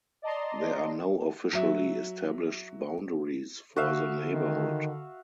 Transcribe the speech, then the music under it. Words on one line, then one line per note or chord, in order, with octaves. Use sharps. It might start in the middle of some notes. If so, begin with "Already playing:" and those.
There are no officially established boundaries for the neighborhood.
D5 D#5 A5 A#5 C6
F#3 E5
D3 F#4 E5 F5
D#3